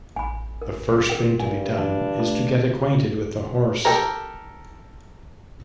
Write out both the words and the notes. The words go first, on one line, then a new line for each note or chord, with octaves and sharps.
The first thing to be done is to get acquainted with the horse.
A1 G#5 B5
A#4
G#1 A#4 G5
G2 G#5
E3 D4
A3
G4 A4 A#4 A#5